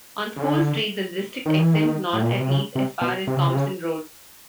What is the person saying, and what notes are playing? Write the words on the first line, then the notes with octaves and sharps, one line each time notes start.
On School Street the district extends north at least as far as Thompson Road.
C#3
D3
D#3
E3
D#3
A2
A#2
B2
C3
C#3
C3
B2
C3
C#3
C3
C#3